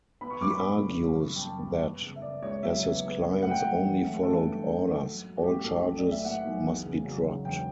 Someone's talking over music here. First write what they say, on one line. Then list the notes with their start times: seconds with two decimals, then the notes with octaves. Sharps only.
He argues that, as his clients only followed orders, all charges must be dropped.
0.21 B3 B5
0.30 C#6
0.41 F#2 D6
0.51 B5
0.61 B3
0.81 C#3
1.01 G3
1.21 F#2
1.36 G5
1.42 F#2 A5
1.62 G3
1.82 B3
2.02 C#3
2.16 E5
2.22 C#3 D5
2.42 C#2 C#5
2.63 F#3 E5
2.82 B3
3.03 B3
3.23 B3
3.42 A3 F#5
3.51 G5
3.59 F#3 F#5
3.83 A1
4.04 A3
4.23 A1 A4
4.43 G2
4.63 F#3
4.84 F#3
5.04 F#3
5.24 F#3
5.37 F#4
5.43 A2 G4
5.64 B1 A4
5.84 F#3
5.98 D5
6.05 A3
6.12 E5
6.25 A2 F#5
6.45 B1
6.64 E2
6.85 C#3
7.05 F#3
7.26 C#3
7.45 E1 G5